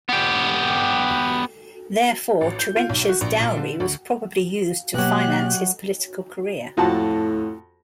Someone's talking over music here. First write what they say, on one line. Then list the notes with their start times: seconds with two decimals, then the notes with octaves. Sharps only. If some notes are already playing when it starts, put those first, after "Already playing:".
Therefore, Terentia's dowry was probably used to finance his political career.
0.09 B3 G4
2.41 A1
2.59 G6
2.76 F4
2.90 B1
3.09 F#4
3.21 A#1
3.40 A#2
3.57 D3
3.80 D2
4.94 B2 F#3 A#3 G4 D#5 F#6
6.77 F2 A2 F#4 A5